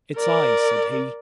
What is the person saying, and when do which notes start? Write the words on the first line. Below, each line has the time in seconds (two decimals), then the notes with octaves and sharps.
"It's I," said he.
0.16 A#4 D5